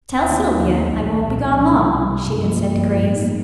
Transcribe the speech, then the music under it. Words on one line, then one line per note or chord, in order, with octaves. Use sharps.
"Tell Sylvia I won't be gone long," she had said to Grace.
D#2
D#3 A#3 D#4
D#2
D#3 A#3 D#4
C2
A#2 F3
C2
A#2 F3
C2
C3 G3
C2
C3 G3
G2
F3 A#3
G2
F3 A#3
A2
G3 A#3 D#4